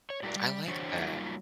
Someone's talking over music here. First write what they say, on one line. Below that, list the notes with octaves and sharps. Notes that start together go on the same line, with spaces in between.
I like that.
C#5
F#3 G3 E4 F#4 A#4 D5
G3
D3 E3 D4 F#4 C5 C#5
F#3 G3 A#3 D#4 F4